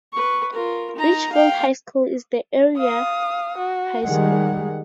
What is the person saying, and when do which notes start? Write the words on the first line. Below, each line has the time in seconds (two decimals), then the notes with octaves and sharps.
Litchfield High School is the area high school.
0.13 B4 C#6
0.53 F4 A#4
0.95 D#4 A#5
1.32 F5 G5
2.78 F5 D#6
3.58 F#4
4.04 D#3 G3 G#3 F#5